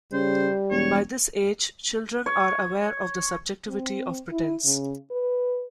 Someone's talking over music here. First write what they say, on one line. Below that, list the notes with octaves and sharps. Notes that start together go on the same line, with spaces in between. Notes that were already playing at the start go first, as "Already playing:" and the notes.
By this age, children are aware of the subjectivity of pretense.
C#3 G3 C5
E1 C#5
C#5
C4
E4
C#3
B4